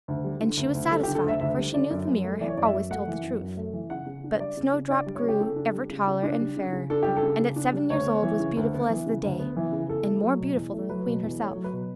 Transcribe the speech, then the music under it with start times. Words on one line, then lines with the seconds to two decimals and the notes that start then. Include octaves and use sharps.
And she was satisfied, for she knew the mirror always told the truth. But Snowdrop grew ever taller and fairer, and at seven years old was beautiful as the day, and more beautiful than the queen herself.
0.08 D2
0.24 G3
0.40 D3
0.57 D2
0.74 D2
0.91 G3 A4
1.03 G4
1.08 D3
1.15 A4
1.24 D2 E5
1.40 D2 E5
1.57 G3
1.74 D3 D5
1.91 F#2
2.07 F#2
2.24 A3
2.41 E3 D5
2.48 C#5
2.57 F#2 D5
2.65 E5
2.73 F#2
2.90 A3 F#5
3.08 E3
3.23 F#2
3.41 F#2
3.57 A3
3.73 E3
3.90 C#3 F#5
4.06 C#3
4.24 D4
4.40 G3 D5
4.57 C#3
4.74 C#3
4.90 D4 D5
5.06 G3
5.15 C#5
5.23 C#3
5.29 G4
5.41 C#3 A4
5.56 D4
5.73 G3
5.90 C#3
6.07 C#3
6.23 D4
6.40 G3
6.57 C#3
6.73 C#3
6.90 D4 A4
7.03 G3 G4
7.17 A4
7.23 C#3
7.40 C#3
7.56 D4
7.73 G3
7.90 D2 C#5
8.06 B3
8.23 E3
8.40 C#3
8.57 D2
8.73 B3
8.90 E3
9.06 C#3
9.23 D2
9.39 B3
9.56 E3
9.72 C#3
9.89 E2 A4
10.07 A3
10.23 F#3
10.40 B2
10.56 E2
10.73 A3
10.89 F#3 B4
11.07 B2
11.23 E2
11.39 A3 C#5
11.55 F#3
11.64 B4
11.72 B2